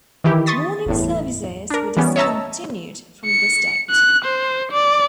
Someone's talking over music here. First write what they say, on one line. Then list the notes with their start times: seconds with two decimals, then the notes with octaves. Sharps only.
Morning services were discontinued from this date.
0.24 D#3 E3 E4 G4
0.46 C6 C#6 D#6 A6 B6
0.86 G1 E2 A2
1.70 D4 A#4
1.97 E3 G3 B3 C#4
2.16 C#5 D#5 E5 A5 A#5 E6
3.26 C#7
3.90 F#6
4.25 C5
4.72 D5